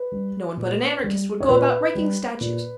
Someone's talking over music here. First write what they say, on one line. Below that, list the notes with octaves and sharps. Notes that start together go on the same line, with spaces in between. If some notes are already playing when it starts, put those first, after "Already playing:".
No one but an anarchist would go about breaking statues.
Already playing: B4
G3
A#2
G3
C#5
A#2 B4
G3
A#2